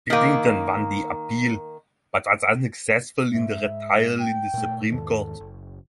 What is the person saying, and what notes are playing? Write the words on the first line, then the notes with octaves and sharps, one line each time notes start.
Piddington won the appeal but was unsuccessful in the retrial in the Supreme Court.
D#3 A#3
G#2 E5
G5
A#2 A3
E2 G#2 D#3 A4
F#1